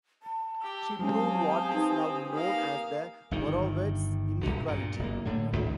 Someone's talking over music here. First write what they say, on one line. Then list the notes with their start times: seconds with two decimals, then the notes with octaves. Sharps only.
She proved what is now known as the Morawetz Inequality.
0.23 A5
0.61 G4 D6 E6
0.99 F#3 G#3 C4 C#4 G4 F5 G#5 D#6
1.74 D#4 B4
2.34 A#3 F5
3.31 G1 G2 D#3
4.43 F#1 C#2 B2 D3
4.68 G2 A#2
4.99 F#1 A#3
5.25 A2 D3
5.52 D#1 G#1 C#2